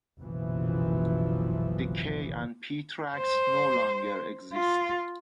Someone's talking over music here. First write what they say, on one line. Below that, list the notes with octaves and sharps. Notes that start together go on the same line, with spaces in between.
The K and P tracks no longer exist.
F#1 B1 A#2 E3 F3
C5
F4